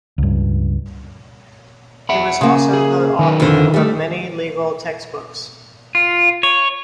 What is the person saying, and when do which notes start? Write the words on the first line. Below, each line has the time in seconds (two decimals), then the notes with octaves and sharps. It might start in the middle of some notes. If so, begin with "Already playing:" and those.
He was also the author of many legal textbooks.
0.18 C#2 G2
2.09 E5 F#5 B5
2.41 C#3 A#3
2.73 G#4
3.19 D#3 A#4 B4
3.40 F2 D3
3.74 G3 A3
5.95 F4
6.43 C#5